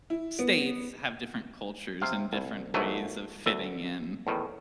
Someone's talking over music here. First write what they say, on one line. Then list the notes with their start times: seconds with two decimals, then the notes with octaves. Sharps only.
states have different cultures and different ways of fitting in.
0.10 E4
0.39 B3
2.02 C3 F5
2.33 C2
2.74 A#1 G#2 F#3 A3 G#5
3.46 D2 E5
4.27 E2 A2 D#3